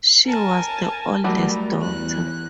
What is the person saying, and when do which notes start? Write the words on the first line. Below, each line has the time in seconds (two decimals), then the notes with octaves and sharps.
She was the oldest daughter.
0.25 A#4 G#5 A5
1.24 F#3 G3 A3 A#4 B5
1.81 E2 F#6